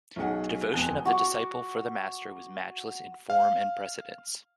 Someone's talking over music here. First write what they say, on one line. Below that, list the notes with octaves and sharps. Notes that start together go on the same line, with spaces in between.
The devotion of the disciple for the Master was matchless in form and precedence.
B1 C#4 D#4 G#4 F#5
E1 F2 B3 G#5 F#6 G7
F#4 D6
F5